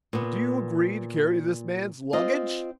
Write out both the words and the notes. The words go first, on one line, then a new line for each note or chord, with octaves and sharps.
"Did you agree to carry this man's luggage?"
A#2 B3
C4 F4 D#5